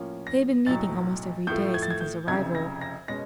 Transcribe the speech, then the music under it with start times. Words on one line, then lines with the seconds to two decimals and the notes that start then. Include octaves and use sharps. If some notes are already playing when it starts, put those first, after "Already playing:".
They had been meeting almost every day since his arrival.
Already playing: A2 F3 A#3 C#4
0.27 A#6
0.66 B1 A2 F#3 A6
1.47 A2 F3 A3 G6
1.74 G#6
1.82 A6
1.91 G#6
2.01 G6
2.27 F1 F2 C#3 G#6
2.55 A#6
2.81 A#6
3.08 B2 G#3 C#4 A#6